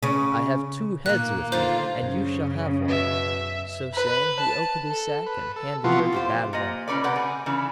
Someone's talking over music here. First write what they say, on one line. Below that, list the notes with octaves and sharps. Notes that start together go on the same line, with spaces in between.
'I have two heads with me, and you shall have one.' So saying, he opened his sack, and handed her the bad one.
C#3 C#4
A#2 D#3 A#3 F#6
D3 D#3 A3 F4 C5 F5 G6
F#2 C#3
B2 E5
B4
A5
A4
B4
A4
C3 E3 F3 B3 F4 F#4
F4 G4 C5
A#2 D#5
C#3 F3 C#4 B4 D5
C3 B4 D5 F#5
G#4
C#3 E3 D4